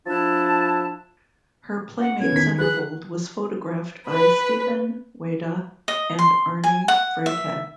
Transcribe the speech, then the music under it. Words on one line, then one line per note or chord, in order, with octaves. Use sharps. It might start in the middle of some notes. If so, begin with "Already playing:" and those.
Her Playmate centerfold was photographed by Stephen Wayda and Arny Freytag.
F3 D4 E4 A5
F#5
B3 C#4 G#6
D#3 B6
G#4 B4 F#6
B4
D#5
C6
G#5
F#5
E5